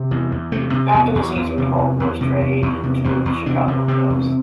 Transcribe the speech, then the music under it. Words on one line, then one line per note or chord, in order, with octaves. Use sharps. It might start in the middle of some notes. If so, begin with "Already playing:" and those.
After the season, Hoak was traded to the Chicago Cubs.
Already playing: C3
E2
E2
C3 A3
C3
E2 B3
E2
E2
C3
E2
E2
C3
E2
E2
C3
E2 C4
E2
C3 D4
C3
C3 C4
E2